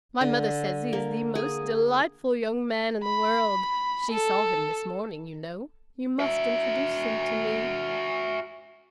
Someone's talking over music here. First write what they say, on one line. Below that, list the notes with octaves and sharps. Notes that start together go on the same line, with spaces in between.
My mother says he is the most delightful young man in the world; she saw him this morning, you know; you must introduce him to me.
D3
A#3
G#4
B5
A4
F#4 E5